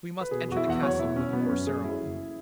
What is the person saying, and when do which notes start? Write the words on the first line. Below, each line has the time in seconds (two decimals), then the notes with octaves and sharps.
We must enter the castle with more ceremony.
0.21 B4
0.31 B2 G#4
0.48 E2 F#4
0.57 E4
0.66 E2 F#5
0.82 F#3 C#5
0.99 B2 E4
1.16 E2 C#4
1.33 F#3 B3
1.49 F#2 C#4
1.67 F#3 G#4
1.84 F#3 E4
2.01 F#1